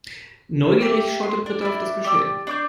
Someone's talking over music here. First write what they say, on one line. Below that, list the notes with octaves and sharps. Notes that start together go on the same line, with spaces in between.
Neugierig schaute Britta auf das Geschehen.
A#3 G4 E5
C6
D4
D4 E4
G4 D5 E6
D4 D5 D6 G6